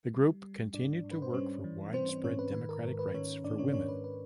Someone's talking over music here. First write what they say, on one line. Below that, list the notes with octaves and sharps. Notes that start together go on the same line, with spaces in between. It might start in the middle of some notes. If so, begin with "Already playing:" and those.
The group continued to work for widespread democratic rights for women.
G3
G3
G#2 D4 D5
G#2
B4
C5
G3 C#4 C#5
E3
E3 C4 C5
C4 C5
G#2 C#4 C#5
B4
D#3 B4
A#4
G#2
B4
D#3 C#4 C#5
G#2 D4 D5
C#4 C#5
G#2 C#4 C#5
B4
B4